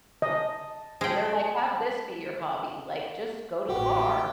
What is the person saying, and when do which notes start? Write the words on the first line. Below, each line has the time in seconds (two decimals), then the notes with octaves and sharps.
And they're like, "Have this be your hobby, like, just go to the bar."
0.22 D#5 A5
1.01 G#3 G5
3.69 A1 D3 F#4 G4